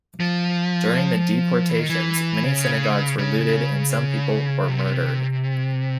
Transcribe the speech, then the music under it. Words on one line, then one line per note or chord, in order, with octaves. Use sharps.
During the deportations, many synagogues were looted and some people were murdered.
F3
E3
D#3
E3
C#3
C#3
C3